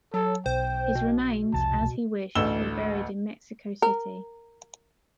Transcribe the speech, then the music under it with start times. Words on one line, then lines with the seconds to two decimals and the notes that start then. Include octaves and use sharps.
His remains, as he wished, were buried in Mexico City.
0.14 F#3 A4
0.46 B1 C5 G5
0.96 B2
1.53 F1 C2 F2 A5
2.35 A1 D2 E6 E7 G7
3.82 A#4